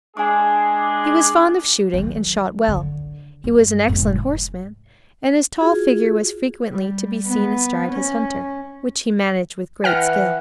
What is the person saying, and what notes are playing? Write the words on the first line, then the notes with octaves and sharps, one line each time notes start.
He was fond of shooting and shot well; he was an excellent horseman and his tall figure was frequently to be seen astride his hunter, which he managed with great skill.
G#3 D4 G#4 G#5 D6
D#3 F#3
D3
G2
F1 G#2
F4 F#4 G#4
G3
B3
C#4
E3 F#5 G5 F6 A#6